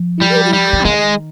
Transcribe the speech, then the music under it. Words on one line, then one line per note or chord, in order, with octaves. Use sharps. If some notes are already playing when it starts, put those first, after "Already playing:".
We really have.
Already playing: F3
G3
G3
F3
D#3 G#3